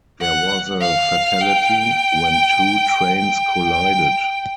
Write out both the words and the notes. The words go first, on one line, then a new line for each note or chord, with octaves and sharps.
There was a fatality when two trains collided.
F#5
F5
G5
G5